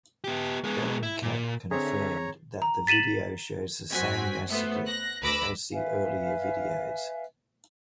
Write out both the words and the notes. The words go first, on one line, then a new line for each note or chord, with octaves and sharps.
Bellingcat confirmed that the video shows the same massacre as the earlier videos.
B3 G4
G#3 B3
E4
A#2
D3 C4 D4 G#4 C#5 E5 A#5
A#5
A6 B6 D#7 E7 F#7
F#2 C4 F#4 G#5 B6
A3 B3 C5
F#6 A#6
D2 B4 B5 D6 E6 A#6
B4 E5 F5 G#5